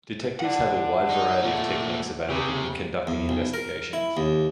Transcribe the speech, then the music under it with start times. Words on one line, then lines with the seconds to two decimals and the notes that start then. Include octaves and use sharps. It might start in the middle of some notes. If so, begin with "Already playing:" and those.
Detectives have a wide variety of techniques available in conducting investigations.
0.40 D5 F#5
1.10 D#4
1.42 A#2 A3
2.30 C#3 C4 G4
3.07 E2
3.29 B1
3.54 A#4
3.93 E4
4.17 D#2